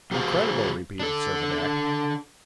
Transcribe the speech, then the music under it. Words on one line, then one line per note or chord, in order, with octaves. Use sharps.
"Incredible?" repeated Servadac.
G3 F#4 G#4 C5 F5
D4 A4